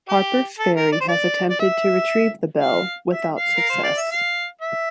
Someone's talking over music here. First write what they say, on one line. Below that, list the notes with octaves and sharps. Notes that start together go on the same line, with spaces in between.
Harpers Ferry has attempted to retrieve the bell without success.
G4
A4
A#4
D5
C5
D5
D5
E5
F5
E5
F5
A#4
C5
D5
E5
F5
E5